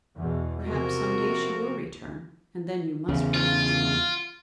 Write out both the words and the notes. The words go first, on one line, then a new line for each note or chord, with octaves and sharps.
Perhaps, some day, she will return, and then you must bring her to me.'
E2 B2
C3 F3 F#4 A#4
E2 C#3
F4